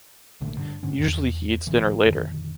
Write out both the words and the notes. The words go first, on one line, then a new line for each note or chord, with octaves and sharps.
Usually he eats dinner later.
A1 A#2 D3 A3
G2 D3 D4
G2 D3 B3 C#4
E2
G#1 D3 E3
F2 A#2 D3 D#3